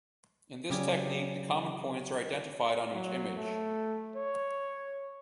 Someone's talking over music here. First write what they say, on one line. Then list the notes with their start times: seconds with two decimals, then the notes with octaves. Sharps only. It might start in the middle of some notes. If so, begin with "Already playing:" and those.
In this technique, the common points are identified on each image.
0.70 C#3 F#3 C#4 G4 D5 G#5
2.93 F#3
3.37 A3
4.16 C#5